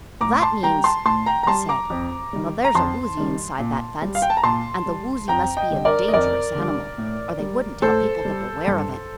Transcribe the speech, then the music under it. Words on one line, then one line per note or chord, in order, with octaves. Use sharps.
"That means," he said, "that there's a Woozy inside that fence, and the Woozy must be a dangerous animal or they wouldn't tell people to beware of it."
A2 A#5 D6
A5 C6
G3 G5 A#5
A5 C6
A2 A5 C6
G5 A#5
A#5
G3 A5 C6
A#5 D6
F2
D#3 G3
A#5
F2 A5 C6
D#3 G3
A#2
G3
F5
G5
A5
A#5
A#2 A5 C6
G3
F2 G5 A#5
D#5 G5
D3 G3
A#4 D5
D#5
F2 A#4 D5
D3 G3
A2
G3
A2 A4 C5
G3
G2